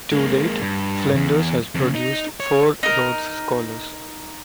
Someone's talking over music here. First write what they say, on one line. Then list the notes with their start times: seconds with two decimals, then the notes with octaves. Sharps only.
To date, Flinders has produced four Rhodes scholars.
0.12 G#3 A#3
0.62 G2
1.16 E2
1.75 F2 C#3
1.95 D#4
2.40 C#5
2.83 D#4 A#4